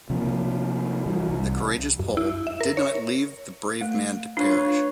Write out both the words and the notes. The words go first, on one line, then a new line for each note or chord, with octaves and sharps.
The courageous Pole did not leave the brave man to perish.
C3 F3 A#3
E3 G3
C2
F#2
E4
E5
A#4
C#5
A3
D4 F4 B4 C#5
C#5